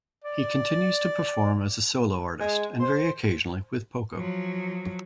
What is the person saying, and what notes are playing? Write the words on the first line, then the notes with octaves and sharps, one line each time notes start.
He continues to perform as a solo artist, and very occasionally with Poco.
D5
G#3
C5
F3 F#3